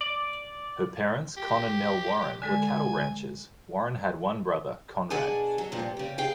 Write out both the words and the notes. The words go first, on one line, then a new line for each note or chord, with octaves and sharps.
Her parents, Con and Nell Warren, were cattle ranchers; Warren had one brother, Conrad.
D5
G4
D3 G#3 A4 G#5
B2 D4 G#4 F#5 G#5 A5
F#3
G2 A#2 F3
C#3 G4
G#4 F5 G5